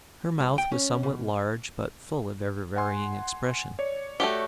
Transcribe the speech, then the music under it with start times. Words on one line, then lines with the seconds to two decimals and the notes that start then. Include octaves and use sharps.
Her mouth was somewhat large, but full of ever-varying expression.
0.40 C2
0.58 G5
0.72 C#4
1.03 B2
2.76 F#5 G#5 C6
3.79 C#5 D5 C#7
4.20 A3 F#4 G4